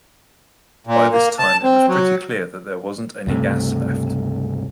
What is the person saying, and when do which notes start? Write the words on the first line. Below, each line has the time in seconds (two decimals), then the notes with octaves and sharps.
By this time it was pretty clear that there wasn't any gas left.
0.87 A#2
1.12 A#3
1.39 A5
1.64 C4
1.88 F#3
3.27 C#2 G2 C3 A3